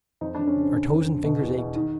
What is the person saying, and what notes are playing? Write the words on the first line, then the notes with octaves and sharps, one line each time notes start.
Our toes and fingers ached.
F2 D#4
D4
F2
C#4
C#3 C4
D3 C#4
F2
D3
B2
E2
B2
D#3